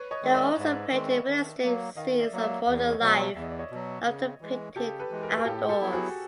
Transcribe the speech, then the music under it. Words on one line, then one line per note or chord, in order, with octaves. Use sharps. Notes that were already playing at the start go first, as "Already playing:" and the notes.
They also painted realistic scenes of modern life, and often painted outdoors.
Already playing: B4 C#5
C#5 D#5
D#3 G#3 C4
D5 E5
G#2
D#3 G#3 C4
D#3
F#3 A#3
D#3 D#5 F5
D5 E5
F#3 A#3
D5 E5
E2
C#5 D#5
B2 F#3
D5 E5
E2 E5
D#5
D5
C#5 D#5
B2 F#3
C#3
E3 G#3
C#3 G4 A4
A4 B4
E3 G#3
A#4
B4
G#4 A#4
A2 G4 A4
G4 A4
F#3 B3 E4
F#4 G#4